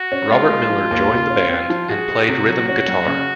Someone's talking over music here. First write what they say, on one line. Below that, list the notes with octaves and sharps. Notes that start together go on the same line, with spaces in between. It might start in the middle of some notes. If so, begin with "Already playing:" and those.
Robert Miller joined the band and played rhythm guitar.
Already playing: F#4
C#4
G#3 F4
G#3
F3
D#2
A#2
C#4
C4 F4
F3
F#4 G#4
G#4
C3
F#3
C#4 F#4
F#3
C#3